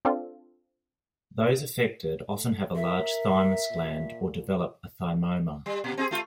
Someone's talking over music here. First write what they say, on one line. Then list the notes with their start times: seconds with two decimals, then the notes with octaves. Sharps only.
Those affected often have a large thymus gland or develop a thymoma.
0.05 C4 D4 F4 A4
2.33 A3
2.76 A#4 E5
3.71 A#2
5.66 G3
5.84 A#2
5.97 C4 D4 G#4
6.11 A3 F4